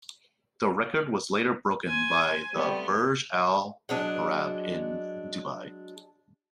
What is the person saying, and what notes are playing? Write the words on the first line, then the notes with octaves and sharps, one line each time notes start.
The record was later broken by the Burj Al Arab in Dubai.
C5 G#5
C3 G3 A3 B3
F#3 G#3 D4